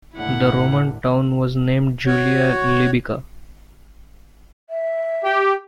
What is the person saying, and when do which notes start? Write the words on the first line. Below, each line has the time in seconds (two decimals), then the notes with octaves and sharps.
The Roman town was named Julia Libyca.
0.15 D#2 A2 D3 E4 F#5
2.06 F#4 C#5
4.70 E5
5.24 G4